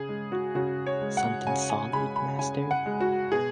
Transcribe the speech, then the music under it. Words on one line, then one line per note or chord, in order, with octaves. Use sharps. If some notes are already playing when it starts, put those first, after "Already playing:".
Somethin’ solid, master?
Already playing: C#3 G#4
G#3
F#4
C#3 F#4
C#5
G#3
F#5
C#3 G#5
G#5
G#3 B5
B5
C#3 G#5
F#5
G#3
F#4
B2 G#4